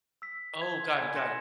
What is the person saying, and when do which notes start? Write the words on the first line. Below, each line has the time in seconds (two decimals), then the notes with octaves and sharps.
Oh, got it, got it.
0.22 E6 B6
0.61 G#6
0.80 C6
1.00 G#5 B5 G#6
1.16 C6 A#6 C#7 E7